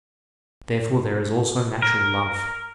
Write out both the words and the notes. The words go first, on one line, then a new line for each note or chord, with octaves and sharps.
Therefore there is also natural love.
A#4